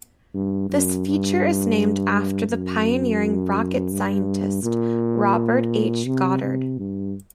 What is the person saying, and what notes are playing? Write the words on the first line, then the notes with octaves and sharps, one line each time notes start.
This feature is named after the pioneering rocket scientist Robert H. Goddard.
G2
F#2
G2
F#2
G2
A#2
C3
C3
G2